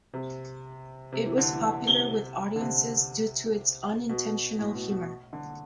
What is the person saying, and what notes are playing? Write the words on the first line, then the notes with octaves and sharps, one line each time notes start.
It was popular with audiences due to its unintentional humour.
C3
C3
E3
D3
E3
D3
C3
D3
C3
B2
A2
B2
B2
D3